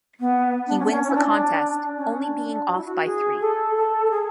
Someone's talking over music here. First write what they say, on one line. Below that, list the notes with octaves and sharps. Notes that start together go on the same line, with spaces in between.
He wins the contest, only being off by three.
B3
D4
C#4
D4
C#4
C#4
E4
D4
D4
C#4
C#4
D4
F#4
E4
F#4
G#4
A4
A4
G#4